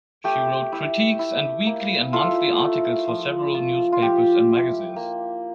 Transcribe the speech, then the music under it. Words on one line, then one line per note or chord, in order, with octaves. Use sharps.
She wrote critiques and weekly and monthly articles for several newspapers and magazines.
A3 G4
E4
E4
A#3
E4 F4 A4
A3
F3
F4
F4
F3 G4
E4
A#3